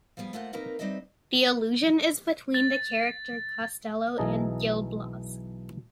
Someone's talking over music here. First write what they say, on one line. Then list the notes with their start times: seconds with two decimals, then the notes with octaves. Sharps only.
The allusion is between the character Castelo and Gil Blas.
0.17 F3 G3 B3 G#4
0.33 A3 A#3 F4 C5 F5 F#5
0.53 A#3 C4 D#4 A#4 B4
0.79 G3 C4 D#4 B4 D#5 E5
2.54 A6
4.18 B1 E3 G#4 D#5 A5 A#5